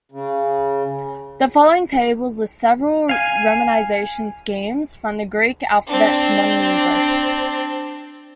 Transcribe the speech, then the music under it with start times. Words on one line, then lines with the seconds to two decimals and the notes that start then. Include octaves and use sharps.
The following tables list several romanization schemes from the Greek alphabet to modern English.
0.12 C#3
3.09 F5 G#5
5.88 C4 D4